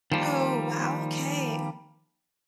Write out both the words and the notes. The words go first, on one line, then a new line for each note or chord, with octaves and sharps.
Oh, wow, okay.
D#3 F3 G3 A#3